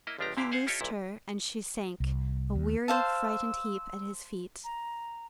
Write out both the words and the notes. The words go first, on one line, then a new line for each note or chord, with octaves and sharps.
He loosed her and she sank, a weary, frightened heap, at his feet.
A#3 E4 D#5
G1 C#2 F3 D4 G4 A#5
A#2 D3 E4 G4 F5
G#4 C5 F5 F#5 G#5
E4 F4 G4 A4 C#5 D#5
B1 A#2 E4
C2
D#2
C5 F5 A5 E6
A#5